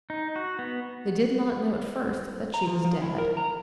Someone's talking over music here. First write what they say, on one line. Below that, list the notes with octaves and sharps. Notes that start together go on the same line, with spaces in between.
They did not know at first that she was dead.
D#4
F#4
B3
A#5
F3
F3
E4
A#4
A#5